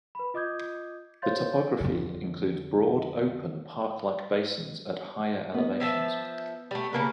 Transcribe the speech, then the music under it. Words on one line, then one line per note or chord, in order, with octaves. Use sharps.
The topography includes broad open park-like basins at higher elevations.
B4 B5
F4 D#5 D6 D#6 G6 G#6
C5 C#5 F5 C6 G6 A6
F2 D3
B3 D#5
F3 E5 A5
G3 A3
C#3 A#3 G4 A#4 B4 A5